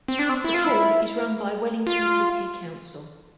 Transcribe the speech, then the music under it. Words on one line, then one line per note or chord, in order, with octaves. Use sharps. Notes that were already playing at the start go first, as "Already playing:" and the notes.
The pool is run by Wellington City Council.
C4
D4
C4
E4
F4
E4
F4